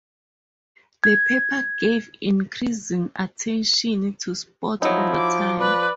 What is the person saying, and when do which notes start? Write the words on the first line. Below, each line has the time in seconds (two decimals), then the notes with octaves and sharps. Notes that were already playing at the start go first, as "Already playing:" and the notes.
The paper gave increasing attention to sports over time.
1.04 G#6
4.82 F3 F#3 D#4 E4
5.15 D6
5.59 B4 D5